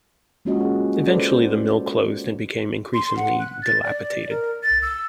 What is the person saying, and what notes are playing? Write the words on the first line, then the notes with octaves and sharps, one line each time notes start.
Eventually the mill closed and became increasingly dilapidated.
G#3 A#3 C#4 F4 F#4 D#5
G4 G#4
G4 A4 B4 C5 D5
C6
F#5
F#6
A6
D5
A#4
A6
E6